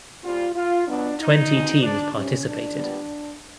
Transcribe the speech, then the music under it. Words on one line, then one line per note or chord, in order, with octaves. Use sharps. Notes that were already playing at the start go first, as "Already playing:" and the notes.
Twenty teams participated.
A#2 G3 C4 F4
F4
B2 F#3 B3 D4
D#4
B2 G#3 C4
D4
C3 D#3 G3 C#4
D4
A#2 G3 B3